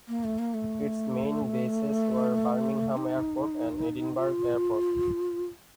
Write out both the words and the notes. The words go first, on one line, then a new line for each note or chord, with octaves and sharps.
Its main bases were Birmingham Airport and Edinburgh Airport.
A#3
A3
A#3
A3
D#4
F4